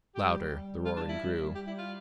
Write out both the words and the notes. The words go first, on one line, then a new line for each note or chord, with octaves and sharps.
Louder the roaring grew.
G3 G4
G3
F4
D4
E4
G3 G4
E4
F4